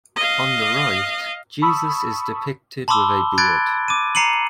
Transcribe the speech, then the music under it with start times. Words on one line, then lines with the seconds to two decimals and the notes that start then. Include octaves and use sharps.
On the right, Jesus is depicted with a beard.
0.16 D#5 F5
1.62 A5 B5 C#6 D#6 E6
2.88 A5 B5 C6 D6 E6 G7
3.38 B5 F#6 G#6 A6 D7
3.88 D6 D#7
4.15 A#5 C7 C#7 D#7 F#7